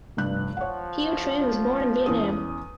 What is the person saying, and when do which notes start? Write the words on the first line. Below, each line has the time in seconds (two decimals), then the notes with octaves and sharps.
Hieu Trinh was born in Vietnam.
0.17 F1 G2 F#6
0.57 F3 C#5 F#5
2.06 E2 C#4 D#6